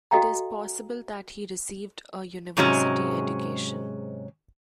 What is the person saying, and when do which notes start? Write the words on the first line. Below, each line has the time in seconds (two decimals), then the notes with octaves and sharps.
It is possible that he received a university education.
0.11 F#4 A4 D#5 F5 G5 A#5
2.57 G#2 C3 F#3 G#3 C#4